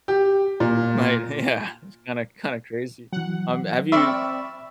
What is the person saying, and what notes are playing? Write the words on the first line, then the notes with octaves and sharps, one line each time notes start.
you might Yeah. It's kinda kinda crazy. Um, have you
G4
A#2
E3 F#3 F#5
C4 D5 E5 B5 C#6 F6